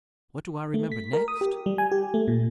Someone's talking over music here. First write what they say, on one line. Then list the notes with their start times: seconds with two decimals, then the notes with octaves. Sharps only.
What do I remember next?
0.74 A3
0.92 B6
1.13 A#4
1.28 D#6
1.41 G4
1.66 G3
1.78 G#5
1.92 G4
2.14 A3
2.28 A#2